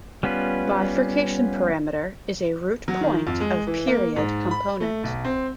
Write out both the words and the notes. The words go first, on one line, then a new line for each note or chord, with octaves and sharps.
Bifurcation parameter is a root point of period- component.
G3 B3 C#4 F4 B4
F#3
D#3
F2
G#3
E3
A#3
G#2
B5
A3
B1
C4